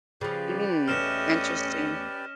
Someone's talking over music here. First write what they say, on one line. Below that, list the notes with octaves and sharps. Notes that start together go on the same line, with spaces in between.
Mm, interesting.
C#3 F3 G4 B4 D5
E2 A3 C#4 D#5 F6 E7